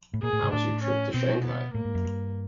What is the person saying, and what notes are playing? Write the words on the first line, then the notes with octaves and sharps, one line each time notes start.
How was your trip to Shanghai?
A2
A#2 G#4
A2
G#2
A2 D4
C#4
B2 C4
B3
A2 A#3
G#2
F#2
G2